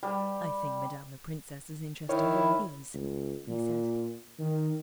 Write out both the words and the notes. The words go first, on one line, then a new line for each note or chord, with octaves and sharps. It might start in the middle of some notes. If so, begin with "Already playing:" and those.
"I think madame la princesse is interested in these," he said.
G3
D#3 E4 C#5
C#2
A#2
D#3